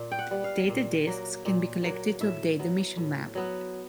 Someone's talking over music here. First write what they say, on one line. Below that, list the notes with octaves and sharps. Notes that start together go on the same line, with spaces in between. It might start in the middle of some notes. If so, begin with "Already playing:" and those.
Data Discs can be collected to update the mission map.
Already playing: A#2
G5
F#5
G3 B3
F5
A#2
F#3 A#3
A#2
F#3 A#3
A2 E5
F#3 B3
A2
F#3 B3